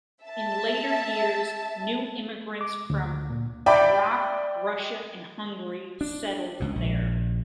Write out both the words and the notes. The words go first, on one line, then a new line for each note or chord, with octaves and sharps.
In later years, new immigrants from Iraq, Russia and Hungary settled there.
E5 A5
D6
D2
A#2
D5 E5 G5 B5 D6
D4
C#2 B2
A#1